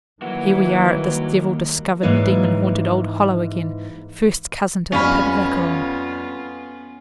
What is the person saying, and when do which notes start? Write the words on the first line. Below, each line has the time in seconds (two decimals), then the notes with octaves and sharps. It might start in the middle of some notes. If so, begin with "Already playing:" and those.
Here we are at this devil-discovered, demon-haunted old Hollow again--first cousin to the pit of Acheron.
0.22 D#3 E3 F#3 G3 A#3 F#4
2.03 G#2 E3 A#3 B4 C#5 F5
4.92 F2 G3 B3 C#4 F4 F5 B5